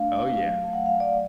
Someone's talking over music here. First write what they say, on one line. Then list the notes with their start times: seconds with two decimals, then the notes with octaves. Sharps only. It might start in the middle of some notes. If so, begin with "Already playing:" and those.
Oh, yeah
Already playing: A3 D4 F5
0.16 A3
0.41 F#3
0.65 A3
0.73 F#5
0.86 F#3 F5
1.00 D5